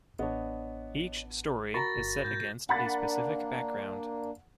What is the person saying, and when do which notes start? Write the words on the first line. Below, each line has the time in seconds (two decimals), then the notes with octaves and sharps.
Each story is set against a specific background.
0.19 A1 B3 D4 C#5 D#5
1.74 F#4 A#4 A#5 B5 C#6 A6 A#6
1.97 G1
2.25 G#2 G6
2.69 A#3 D4 F#5 B5 A6